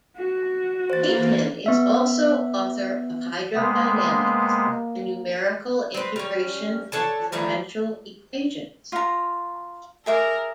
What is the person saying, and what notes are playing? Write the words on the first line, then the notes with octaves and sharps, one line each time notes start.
Bateman is also author of "Hydrodynamics" and "Numerical integration of differential equations".
F#4
E3 A#3 C5 A6
B3 E5
C3 G#3 A#3 B3
C4 B4
G3 C#4
D4 A4 C#5 A5
D#3 E3 G3 A3
F4 A#5
G#4 A#4 E5 D6